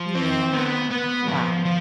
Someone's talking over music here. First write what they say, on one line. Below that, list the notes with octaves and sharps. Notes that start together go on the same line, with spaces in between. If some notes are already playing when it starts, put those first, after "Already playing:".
Yeah, wow.
Already playing: F3
C4
B3
B3
F3
F3